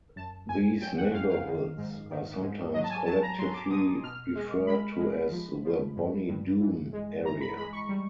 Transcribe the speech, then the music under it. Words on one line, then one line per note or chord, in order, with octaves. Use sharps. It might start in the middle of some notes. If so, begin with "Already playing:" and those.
These neighbourhoods are sometimes collectively referred to as the Bonnie Doon area.
F#2 A5
F#2 G#5
F#3 G5
F#5
F#2 F5
F5
D#3
G#2
D#3
G#2
F#3 D#5
A5
G#5
F#3 A5
A#5
F#3 C6
D6
B2 D#6
B2 F6
G#3
G#3 B5
G#3
F3
F3
G2
G2
E3
G#3
E3 A#5
B5
G#3 B5
C#6
G3